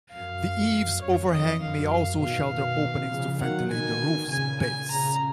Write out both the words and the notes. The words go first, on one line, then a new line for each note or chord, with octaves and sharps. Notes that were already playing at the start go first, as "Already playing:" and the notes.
The eaves overhang may also shelter openings to ventilate the roof space.
F#2 F5
F#2
F#2 C#5
F2 D#5
F#2 F5
F5
B2 D#3 F5
B2 D#3
C#3 F3
D#3 F#3 F#5
B2 D#3 G#5
A#2 C#3 G#5
G#5
A#2 C#3 A#5